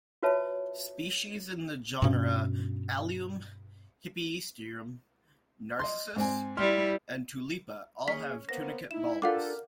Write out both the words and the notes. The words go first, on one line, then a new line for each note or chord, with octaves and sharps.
Species in the genera "Allium", "Hippeastrum", "Narcissus", and "Tulipa" all have tunicate bulbs.
F4 F#4 B4 C#5 E5 A5
G2 B2 C#4
D#5 C6
G#2 C4 G#5
G3 E4 C6 F6
A#3 C#4 G#4 B6
A#3 B3 C5 A#6
D#4 E4 E7
D4 F4 G4 A4 A#4 F5 F#5 D6